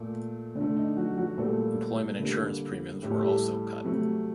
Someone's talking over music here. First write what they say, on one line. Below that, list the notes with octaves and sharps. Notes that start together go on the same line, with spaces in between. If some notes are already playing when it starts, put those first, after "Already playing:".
Employment Insurance premiums were also cut.
Already playing: A#2 A3
D3 D4
A3
D#4
F#3 F#4
F#3 F#4
A#2 G3 A3 A#3 A4
D3 G3 A#3
A2 A3 G4
A4
G3 G4
C3 F#3 A3